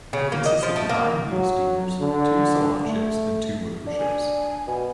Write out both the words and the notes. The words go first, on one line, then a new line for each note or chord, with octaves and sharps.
It consists of nine wheel steamers, two salon ships and two motor ships.
C#3
A#3
D#5
F3
A3
A#3
F#3
D3
A3
D4
G#5
B2